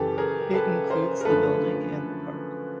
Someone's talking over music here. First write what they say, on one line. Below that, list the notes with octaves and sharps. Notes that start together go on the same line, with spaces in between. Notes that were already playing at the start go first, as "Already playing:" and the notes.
It includes the building and the park.
Already playing: F#2 C#3 E3 G4 A4
G#4 A#4
A4 B4
A#4 C5
A#4
F#2 D3 F3 A3 A4 B4